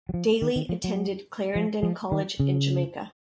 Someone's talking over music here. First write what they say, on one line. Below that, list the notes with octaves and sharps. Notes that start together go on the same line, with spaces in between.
Daley attended Clarendon College in Jamaica.
F#3
F3
D#3
D#3
F3
F#3
F3
F3
D#3
C#3